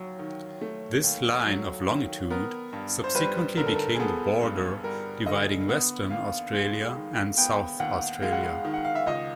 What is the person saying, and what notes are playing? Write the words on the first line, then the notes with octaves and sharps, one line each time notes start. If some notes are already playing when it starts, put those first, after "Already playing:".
This line of longitude subsequently became the border dividing Western Australia and South Australia.
Already playing: D#2 F#3
D#3
A3
D#2
F#3
D#3
B3 A#4
G2
C5
G3 B4
D3 A#4
A4
A#4
G#4
B3 A4
G2
G3 A#4
D3 D#5
B3
D#2 F5
G#3
D#3
B3 G5
D#2 F#5
G#3 F5
F#5
F5
D#3
F#5
F5
E5
C#2 D#5